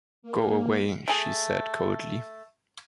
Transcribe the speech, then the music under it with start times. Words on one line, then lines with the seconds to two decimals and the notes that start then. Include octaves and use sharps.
"Go away," she said coldly.
0.22 A#3
1.08 A3 G#4